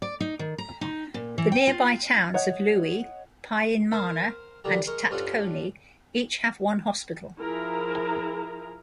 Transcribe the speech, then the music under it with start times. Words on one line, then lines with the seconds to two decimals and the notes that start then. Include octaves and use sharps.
The nearby towns of Lewe, Pyinmana, and Tatkone each have one hospital.
0.02 D5
0.20 D#4
0.39 D#3
0.58 A#5
0.81 D#4
1.14 A#2
1.38 E3
1.52 G5
1.67 F4
2.34 C#5 D#5 F#5
3.91 A#4 C5 F5
4.64 A#2 D3 D#3 G3 A#5
4.87 G#3 A#4 C#6
5.10 G2 C#4 F4 A4 F#5
7.39 F3 E4 G#4 A#4 A#5